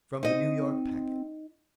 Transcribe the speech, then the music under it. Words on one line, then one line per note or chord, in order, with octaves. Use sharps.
From the New York Packet.
C4 D#4 D#5